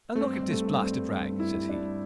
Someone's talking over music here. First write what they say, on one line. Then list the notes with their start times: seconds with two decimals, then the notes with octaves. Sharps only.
And look at this blasted rag, says he.
0.15 A3
0.21 G2 C4
0.43 G3
0.50 A3
0.65 G2
0.81 C4
0.88 G3
1.10 G2
1.32 G2
1.40 E4
1.54 G3
1.69 D4
1.77 G2